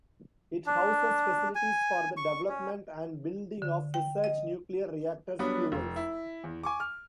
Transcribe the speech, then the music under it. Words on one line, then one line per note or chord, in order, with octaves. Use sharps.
It houses facilities for the development and building of research nuclear reactors fuels.
D4
G#5
C#6
C#4
D3
G5
D#5
F#3 G3 B3 D4
F1
E4
E2
G#5 C#6 D6
F6